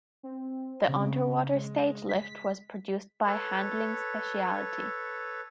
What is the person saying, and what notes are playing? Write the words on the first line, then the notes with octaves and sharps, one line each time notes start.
The underwater stage lift was produced by Handling Specialty.
C4
C#3
G#3
B6
A4 B4 C#5